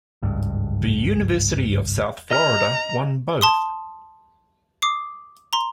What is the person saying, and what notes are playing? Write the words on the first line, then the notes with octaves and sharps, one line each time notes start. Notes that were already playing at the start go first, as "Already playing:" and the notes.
The University of South Florida won both.
G#1 C#2 G2
D#5 A#5 F6
A5 C6 D#6
D6 D#6 C7
A#5 C6